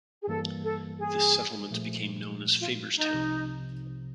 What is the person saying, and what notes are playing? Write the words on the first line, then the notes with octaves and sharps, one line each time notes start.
This settlement became known as Faberstown.
G#4
G2 E3 G3 A#3 A4
A4
G#4
A#2 F3 A3
F4
D#4
C2 C3 F3